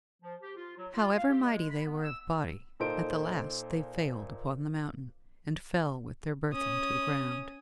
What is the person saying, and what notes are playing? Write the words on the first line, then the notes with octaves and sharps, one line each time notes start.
However mighty they were of body, at the last they failed upon the mountain, and fell with their burthen to the ground.
F3
G4
F4
F#3
F4
F5
G4
G#3
B5
B3
E6
A#2 D#4 A4 C5 D7
C#4 D#6